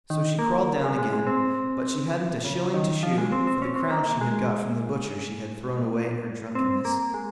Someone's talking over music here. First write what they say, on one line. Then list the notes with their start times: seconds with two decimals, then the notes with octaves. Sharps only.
So she crawled down again, but she hadn't a shilling to shew, for the crown she had got from the butcher she had thrown away in her drunkenness.
0.10 D#3
0.39 A#3
0.84 G#3
0.98 G#3
1.13 G#3
1.27 C4
2.45 C#3
2.74 D#3
3.03 F3
3.18 G#3
3.32 C4
3.47 C4
3.62 C#4
3.76 C4
3.91 A#3
4.06 A#3
4.21 G#3
6.55 C4
6.85 A#3
7.14 G#3